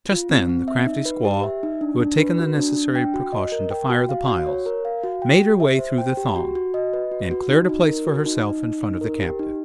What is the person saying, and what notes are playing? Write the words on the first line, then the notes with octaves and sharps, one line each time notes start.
Just then the crafty squaw, who had taken the necessary precaution to fire the piles, made her way through the throng, and cleared a place for herself in front of the captive.
F4
C4
C4
E5
D#4
B4
G4
E5
D#4
D4
D4
B4
F#4
D4
D4
G5
F#4
D#5
A#4
G5
F#4
F5
F#4
C#5
A#4
F5
F#4
G5
G4
E5
C5
G5
G4
F#4
F#4
D#5
B4
F#4
F#4
D#4
D#4
A#4
F#4
D#4
D#4
D#4
D#4
A#4
G4
D#4